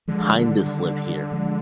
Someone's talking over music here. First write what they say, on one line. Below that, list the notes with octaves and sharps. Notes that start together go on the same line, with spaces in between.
Hindus live here.
D3 F3 G#3
D#3 G3
F3 G#3